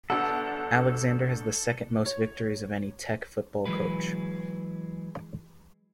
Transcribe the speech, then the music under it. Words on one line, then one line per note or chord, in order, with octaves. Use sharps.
Alexander has the second most victories of any Tech football coach.
G1 D4 A4 F#5
C#5
E3 F#3 G#3 B4